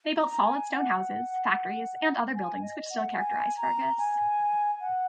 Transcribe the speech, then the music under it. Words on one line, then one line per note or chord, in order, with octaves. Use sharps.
They built solid stone houses, factories and other buildings which still characterize Fergus.
A#5
G#5
F#5
G#5
D#5
F#5
F#5
G#5
A#5
G#5
F#5